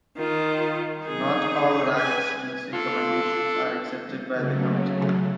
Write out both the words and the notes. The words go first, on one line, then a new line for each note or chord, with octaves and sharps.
Not all Landsea's recommendations are accepted by the Committee.
D#3 F4
D#4 G#4
B4 G#5
D4 F4 A4
C#3 F#3 A3